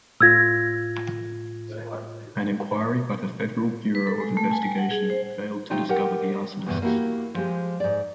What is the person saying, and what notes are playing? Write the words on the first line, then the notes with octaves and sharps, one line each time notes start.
An inquiry by the Federal Bureau of Investigation failed to discover the arsonists.
A2 F4 E6 G#6 A#6
B4
A4
G#3
A3
G#5
G3
F#5
G#4
C5
A3 D#4 F4 G4 G5
G4 A#4 F#5 G5
E2 G2 B2 D#3 E3
A#3 E4 F#4 G4
F3 G#3 G4
G#2 D5